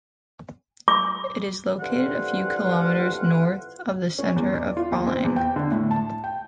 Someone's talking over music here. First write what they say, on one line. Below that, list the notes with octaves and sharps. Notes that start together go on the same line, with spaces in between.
It is located a few kilometres north of the centre of Rollag.
D6
F2 D3 E3 G3 F4 F#5
C#4
E2
D5
F4
D#2
C4
E2
G5
D3
A2
A5
G5